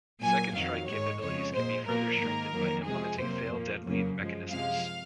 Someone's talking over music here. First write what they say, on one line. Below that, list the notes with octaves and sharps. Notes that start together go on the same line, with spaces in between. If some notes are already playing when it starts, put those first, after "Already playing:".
Second-strike capabilities can be further strengthened by implementing fail-deadly mechanisms.
A#2 F#3 A#3 G#5
F2 D#3 F#3 F5
G#2 D#3 G#3 C#5
F2 C#3 G#3 C#5
A#2 G#3 C5
A#2 F3 A#3 A#4
G#2 D#3 A#3
F2 D#3 F#3 A#3
C3 F3 G#3 G#4
F2 C3 F#3 A#3 C5
A#2 F3 A#3
F2 C#3 F#3 A#3
F#2 F3 G#3
C3 F3 G#3 F5